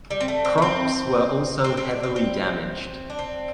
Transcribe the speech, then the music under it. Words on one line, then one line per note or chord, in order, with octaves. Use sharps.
Crops were also heavily damaged.
G3
C4
A3
C4
A3
C4
C4
C4
D4
C4
C4
D4
C4